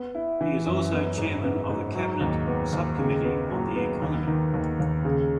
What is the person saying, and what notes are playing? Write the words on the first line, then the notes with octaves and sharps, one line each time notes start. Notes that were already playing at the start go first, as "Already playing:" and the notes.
He was also Chairman of the cabinet sub-committee on the economy.
Already playing: B3
E4
E3
F#2
B3
G#2
B3
G#2
F#3
D#2
B3
D#2
C#3
B3
F#3
B3
D#2
D#3
D#2
D#2
C#3